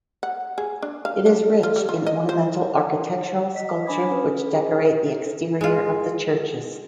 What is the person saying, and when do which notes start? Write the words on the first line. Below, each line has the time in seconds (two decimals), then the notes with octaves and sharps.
It is rich in ornamental architectural sculpture which decorate the exterior of the churches.
0.23 F#5
0.58 G#4
0.82 D4
1.05 F5
1.26 D4
1.63 F4
1.76 G3
1.89 F4
2.07 D#5
2.29 C5
3.55 D#5 B6
3.86 D4 G#5 B5 D6 D#6 G#6
4.10 C#4 B4
4.52 G#4 C5 G#5
5.61 G#3 F4